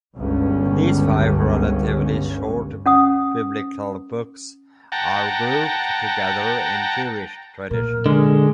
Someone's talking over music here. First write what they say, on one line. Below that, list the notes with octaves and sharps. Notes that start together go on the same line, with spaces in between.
These five relatively short biblical books are grouped together in Jewish tradition.
G1 C#2 G2 C#4
C#4 F#5 D#6
F#5 G5 A5 A#5
A#2 A#4
D3 G#3